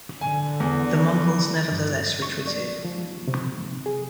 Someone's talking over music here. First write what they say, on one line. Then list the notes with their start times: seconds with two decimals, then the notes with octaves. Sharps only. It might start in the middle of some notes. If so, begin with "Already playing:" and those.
The Mongols nevertheless retreated.
0.21 D3 G#5
0.60 E2
1.72 G2
2.22 C#6
2.47 D5
2.85 F3
3.27 C3
3.86 G#4